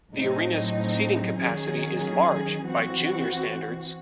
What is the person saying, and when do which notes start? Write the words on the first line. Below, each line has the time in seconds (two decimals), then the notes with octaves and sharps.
The arena's seating capacity is large by junior standards.
0.13 A2 F#3 C4 D#4
1.38 D#3 F#3 C#4 G#4
2.64 E3 C4 F#4